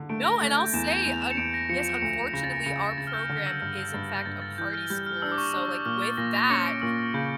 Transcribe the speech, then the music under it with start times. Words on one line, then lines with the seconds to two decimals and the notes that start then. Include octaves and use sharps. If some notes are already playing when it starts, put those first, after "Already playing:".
No, and I'll say, un yes, unfortunately, our program is in fact a party school, so, like, with that
Already playing: D3
0.09 A3 D7
0.25 A#6
0.41 A3 A6
0.58 G6
0.73 E2 E7
0.90 F7
1.05 E2 F7
1.22 E7
1.31 C#7
1.37 E2 D7
1.54 A#6
1.69 F3 C#7
1.86 C#7
2.01 D2 C#7
2.33 C#3 A#6
2.44 A6
2.53 A#6
2.65 C#3 C#7
2.81 A#6
2.98 C#3 A6
3.07 F6
3.13 G6
3.29 D3 F6
3.46 E6
3.62 G2 F6
3.78 G6
3.94 G2 A6
4.09 A#6
4.25 G2 A6
4.42 A6
4.58 E3 G6
4.73 F6
4.90 G3 G6
5.06 F6
5.22 D4 E6
5.32 D6
5.38 C#6
5.54 D4 C#6
5.86 A#2 F6
6.02 A6
6.17 A#2 A#6
6.34 A#6
6.50 C#4 C#7
6.66 D7
6.82 A#2 E6
6.98 F6
7.14 C#3 G6